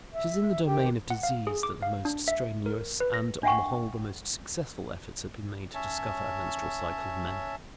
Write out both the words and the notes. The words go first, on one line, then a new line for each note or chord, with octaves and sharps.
It is in the domain of disease that the most strenuous and, on the whole, the most successful efforts have been made to discover a menstrual cycle in men.
E5
D#3 G4 G5
F#5
F5
G#4
D6
F5
D4
E5
A#4
B4
A#6
D4 E5 F#5 G5 C#6
C#4 C#5 E5 A5